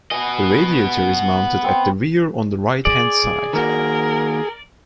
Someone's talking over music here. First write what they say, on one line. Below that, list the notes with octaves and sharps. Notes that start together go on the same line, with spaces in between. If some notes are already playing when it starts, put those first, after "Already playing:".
The radiator is mounted at the rear on the right hand side.
B3 D#5 G#5
C4 B5
G#4 D5
D#3 A#3 F#4 A#4